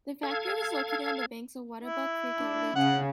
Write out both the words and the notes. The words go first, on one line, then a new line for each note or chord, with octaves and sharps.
The factory was located on the banks of Webatuck Creek at Leedsville.
A4 F5 G#6
E4
D4
C#3 F#5